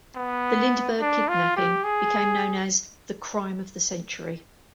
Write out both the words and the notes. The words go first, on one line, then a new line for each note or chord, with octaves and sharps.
The Lindbergh kidnapping became known as "The Crime of the Century".
B3
D4
F4
G4
G#4